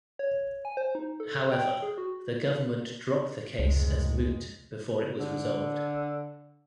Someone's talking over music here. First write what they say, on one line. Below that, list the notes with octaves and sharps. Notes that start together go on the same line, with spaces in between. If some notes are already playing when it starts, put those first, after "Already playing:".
However, the government dropped the case as moot before it was resolved.
C#5
G#5
C5
D#4
A4
G5
G#4
F#4
F1 C#2 G#2 G#3
D3